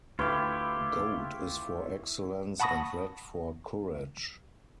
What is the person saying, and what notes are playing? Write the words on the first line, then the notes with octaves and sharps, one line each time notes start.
Gold is for excellence and red for courage.
D2 E4 F4 G4 B4 C#5
F#5 A5 B5 C#6 D#6 A#6